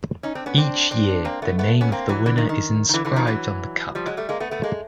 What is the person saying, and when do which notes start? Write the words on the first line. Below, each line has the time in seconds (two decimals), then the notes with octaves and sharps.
Each year, the name of the winner is inscribed on the Cup.
0.23 C#4 D#4
0.35 C4 D4
0.46 B3 C#4
0.58 C4 D4
0.91 C4 D4
1.25 A#3 C4
1.42 A3 B3
1.59 A3 B3
1.81 B3 C#4
1.92 A#3 C4
2.09 E3 F#3
2.26 D3 E3
2.38 D#3
2.49 D#3
2.89 D#3
2.94 D3 E3
3.05 D3 E3
3.16 D#3 F3
3.27 E3 F#3
3.95 F3 G3
4.07 F#3 G#3
4.17 G3 A3
4.29 G#3 A#3
4.40 A3 B3
4.51 A3 B3
4.63 G#3 A#3